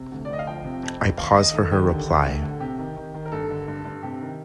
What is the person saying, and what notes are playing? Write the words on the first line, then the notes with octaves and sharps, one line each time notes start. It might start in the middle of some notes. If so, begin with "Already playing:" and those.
I pause for her reply.
Already playing: C3
D2
D5
D2 D#5
F5
F3 G5
C3
F2
F2
D#2 F5
D#2 D#5
D#3 A4
D#3 G4
D3
D3
D2
D3
C3 G4
D#3
D#3
D#3
A#4
G2 A4
D3
G2
G2
C3 G4
D#3